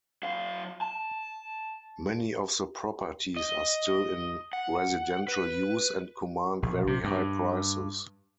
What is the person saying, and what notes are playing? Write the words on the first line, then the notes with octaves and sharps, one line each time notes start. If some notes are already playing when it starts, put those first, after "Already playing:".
Many of the properties are still in residential use and command very high prices.
F#3 F5
A5
D#5
F#5
B4
A#1
C3
G2